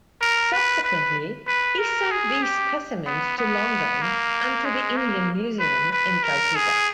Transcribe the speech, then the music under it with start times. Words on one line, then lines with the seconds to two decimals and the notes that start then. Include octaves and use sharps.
Subsequently he sent these specimens to London and to the Indian Museum in Calcutta.
0.21 A#4
0.53 B4
0.84 B4
1.48 B4
1.79 A#4
2.11 G#4
2.42 G4
3.06 B3
3.38 B3
4.02 A#3
4.65 G#3
4.97 A#3
5.60 B4
5.92 B4
6.23 A#4
6.56 G#4